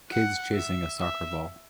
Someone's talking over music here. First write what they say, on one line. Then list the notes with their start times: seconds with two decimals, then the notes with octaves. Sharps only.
Kids chasing a soccer ball.
0.11 F#5
0.55 E5
0.99 E5